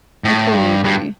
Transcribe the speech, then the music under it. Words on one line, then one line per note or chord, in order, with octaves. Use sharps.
I totally agree.
A2
G2
G2